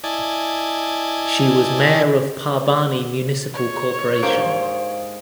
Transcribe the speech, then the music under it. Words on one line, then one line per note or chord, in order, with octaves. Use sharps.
She was Mayor of Parbhani Municipal Corporation.
E4 D5 D#5 G#5 A5
C#5
G#2 A#3 D4 G4 F5 D7